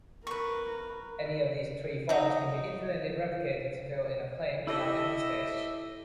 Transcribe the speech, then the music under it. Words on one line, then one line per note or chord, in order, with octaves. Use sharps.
Any of these three forms can be infinitely replicated to fill in a plane without empty spaces.
A#4 B4 C#6
F#3 D#4
E4 G4 A4 D#5 E5